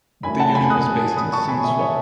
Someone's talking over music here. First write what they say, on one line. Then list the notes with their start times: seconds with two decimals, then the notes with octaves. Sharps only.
The unit was based in Sundsvall.
0.23 F#2 E3 A3 G#5 B5
0.39 F#5 A5
0.55 G#5 B5
0.70 D#6 F#6
1.17 B5 D#6
1.33 A5 C#6
1.48 G#5 B5
1.64 E5 G#5
1.80 C#5 E5